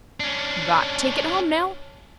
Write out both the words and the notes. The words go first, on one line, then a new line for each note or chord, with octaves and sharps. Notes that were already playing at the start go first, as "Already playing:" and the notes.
Got take it home now.
C#4 D4